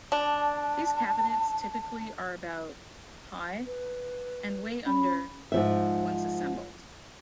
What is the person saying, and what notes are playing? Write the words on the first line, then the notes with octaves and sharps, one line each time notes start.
These cabinets typically are about high and weigh under once assembled.
D4 A5
B4
C#4 B5
G#2 F3 E5